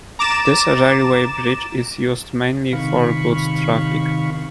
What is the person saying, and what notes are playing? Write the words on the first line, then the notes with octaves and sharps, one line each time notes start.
This railway bridge is used mainly for goods traffic.
A#5 D6 A6 E7
C3 D#3 F5 B5 C#6